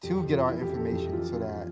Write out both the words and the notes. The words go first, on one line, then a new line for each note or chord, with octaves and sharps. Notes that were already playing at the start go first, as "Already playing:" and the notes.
to get our information, so, that
F2 G4
G4
F2
F4
E3 E4
G4
F2
A4
F2 G4
E3 F4
F2 F4